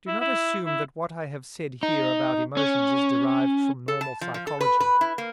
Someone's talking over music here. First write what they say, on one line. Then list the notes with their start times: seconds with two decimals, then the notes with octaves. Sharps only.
Do not assume that what I have said here about emotions is derived from normal psychology.
0.07 E4
0.21 E4
0.66 E4
1.83 D#4
2.57 C#4
3.88 A4
4.01 A5
4.21 F3
4.34 F3
4.47 A4
4.61 B4
4.80 B4
5.01 E4
5.18 A#3